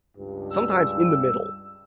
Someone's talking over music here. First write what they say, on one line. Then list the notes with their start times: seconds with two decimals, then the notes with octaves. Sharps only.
sometimes in the middle,
0.16 C#2 G2
0.50 E6